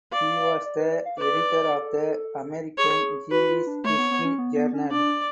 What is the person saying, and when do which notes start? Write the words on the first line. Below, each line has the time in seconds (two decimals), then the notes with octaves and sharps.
He was the editor of the "American Jewish History" journal.
0.12 D5 F5
0.66 D5
0.78 B4
0.92 D5
1.05 F5
1.18 B4 D5
1.71 A4
2.78 G#4 C#5
3.31 F#4 B4
3.49 F4
3.67 D4
3.84 A3 C#5
3.98 B3
4.11 B3
4.25 C#4
4.38 B3
4.56 B3
4.74 C#4
4.91 D4 D5